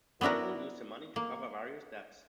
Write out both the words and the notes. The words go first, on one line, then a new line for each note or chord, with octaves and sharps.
Baldwin used the money to cover various debts.
B3 D4 E4 F#4 A#4
A#3